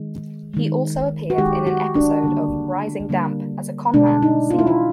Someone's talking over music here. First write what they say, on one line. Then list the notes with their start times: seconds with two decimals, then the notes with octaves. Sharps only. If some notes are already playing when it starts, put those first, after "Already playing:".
He also appeared in an episode of "Rising Damp" as a conman, Seymour.
Already playing: D#3 G#3
0.54 D#3 G#3
1.30 F#4
1.38 D#3 G#3 G4
1.67 F#4
1.95 D4
2.24 D3 G3 A#3
3.09 D3 G3 A#3
3.94 B2 G#3 D4
4.22 D#4
4.50 F4
4.59 E4
4.67 F4